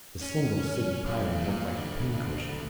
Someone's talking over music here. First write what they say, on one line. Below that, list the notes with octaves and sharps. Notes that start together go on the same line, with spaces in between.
The single city Pyrran looked like a pin-cushion.
C#4
B1
A#2
D2